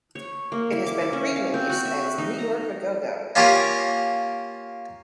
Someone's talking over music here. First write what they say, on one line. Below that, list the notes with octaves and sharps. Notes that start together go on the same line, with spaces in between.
It has been re-released as "New York A Go Go,".
C#5
A#3
E4
D6
E4
C#4
F5
C4
F#4
E5
D#4
A#5
A#3 C#4 F4 G4 A#4